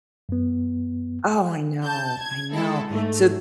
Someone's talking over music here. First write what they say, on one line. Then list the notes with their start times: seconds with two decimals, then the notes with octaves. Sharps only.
Oh, I know, I know, so
0.29 F#2 B3
1.84 A5 G6
2.19 G#6
2.53 G#3 E4 A4
2.89 G#2 A3